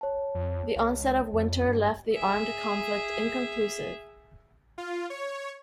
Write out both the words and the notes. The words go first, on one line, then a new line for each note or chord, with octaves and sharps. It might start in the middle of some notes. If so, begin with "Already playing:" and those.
The onset of winter left the armed conflict inconclusive.
C#5 A5
F2
C#2
F2
G2
G#4 E5
F4
C#5